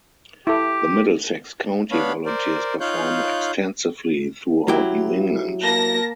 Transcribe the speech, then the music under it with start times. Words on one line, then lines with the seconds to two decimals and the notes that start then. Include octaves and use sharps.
The Middlesex County Volunteers perform extensively throughout New England.
0.47 E4 G4 A4
1.91 B3 D4 C#5 F5 B5
2.26 A#4 C5 D5
2.80 D#4 F4 C#5 F5 F#6 G6
4.68 F#3 E4 G4
5.63 A#3 A5 A#6